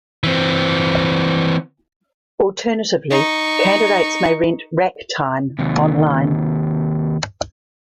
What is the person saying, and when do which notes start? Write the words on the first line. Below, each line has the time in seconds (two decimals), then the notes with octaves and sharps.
Alternatively, candidates may rent "rack time" online.
0.24 E3 C4
3.10 D#4 C#6
5.59 D#2 C3